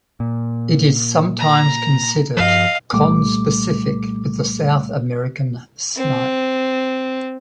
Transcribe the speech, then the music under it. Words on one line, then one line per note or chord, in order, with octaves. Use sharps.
It is sometimes considered conspecific with the South American snipe.
A#2
A#5
G2 F3 D#5 F5
C2 A#2 G3 A3 D6
C4